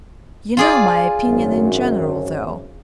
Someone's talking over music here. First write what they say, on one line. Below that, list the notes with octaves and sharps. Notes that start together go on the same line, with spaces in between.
You know my opinions in general, though.
F4 G#4 D5
G#1 F#2